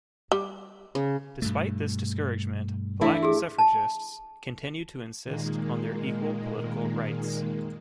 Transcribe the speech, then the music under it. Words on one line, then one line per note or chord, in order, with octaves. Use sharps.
Despite this discouragement, black suffragists continued to insist on their equal political rights.
G3
C#3
G2 B2 A3
E3 A3 D4 E4
G4 G#4
A5
A#2 D#3 G#3 A#3